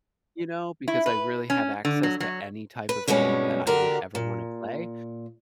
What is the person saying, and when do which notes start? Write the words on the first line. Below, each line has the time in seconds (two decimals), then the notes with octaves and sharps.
you know, because I really have access to any type of game that I would ever wanna play,
0.88 E4
1.06 B4
1.50 C#4
1.85 D3
2.03 F#3
2.20 F#3
2.89 B4
3.08 F2 B2 G3 G#3 C#4
3.67 D3 F#4 G4 A#4
4.15 A#2